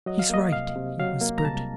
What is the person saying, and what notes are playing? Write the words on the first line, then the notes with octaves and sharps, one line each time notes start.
"He's right!" he whispered.
F#3 D#5
F5
A#3 D#5
C2 F5
C3
F#3 F5
A#3
A#5
C2 A5